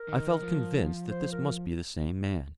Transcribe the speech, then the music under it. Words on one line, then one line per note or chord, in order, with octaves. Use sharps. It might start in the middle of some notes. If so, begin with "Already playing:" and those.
I felt convinced that this must be the same man.
Already playing: A#4
D#3
F3
C5
A#4